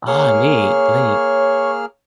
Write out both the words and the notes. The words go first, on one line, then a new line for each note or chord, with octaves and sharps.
Ah, neat neat.
A#3 G#4 C#5 F6